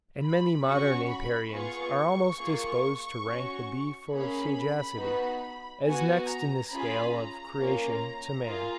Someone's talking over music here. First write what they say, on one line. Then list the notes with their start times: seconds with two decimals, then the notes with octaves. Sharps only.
And many modern Apiarians are almost disposed to rank the bee for sagacity, as next in the scale of creation to man.
0.23 B5
0.66 C#4 F#4 C#6
1.10 B5
1.52 B3 F4 G#4 C#6
2.39 A#3 F4 G#4
3.26 C#4 F#4
4.11 A#3 C#4 G#4 B5
4.98 B3 D#4 F#4
5.85 B3 F#4 G#5
6.28 A#5
6.71 C#4 F4 G#4 B5
7.15 A#5
7.58 A#3 C#4 F4
8.44 A#3 F4 G#4